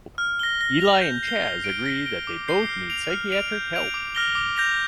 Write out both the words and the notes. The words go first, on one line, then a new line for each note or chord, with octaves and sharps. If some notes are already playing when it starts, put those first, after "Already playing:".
Eli and Chas agree that they both need psychiatric help.
F6
A#6 G7
A#6
F7
G6
C7 G7
A#6
D7 G7
A#6
D7 G7
D6
G6 C7 G7
F6
D7 F7
F6
D7 F7
G6
D7 F7
D6
F6 A#6 G7
D6
G6 A#6 F7